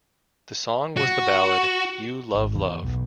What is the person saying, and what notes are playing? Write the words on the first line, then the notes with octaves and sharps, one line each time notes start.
The song was the ballad "You Love Love".
F#4
G#1
E2
B1